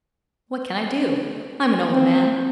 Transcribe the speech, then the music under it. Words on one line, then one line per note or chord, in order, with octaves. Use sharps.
What can I do? I'm an old man.
C4